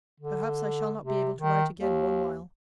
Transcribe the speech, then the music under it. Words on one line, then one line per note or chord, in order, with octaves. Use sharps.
Perhaps I shall not be able to write again one while.
D3
C3
D#3
D#2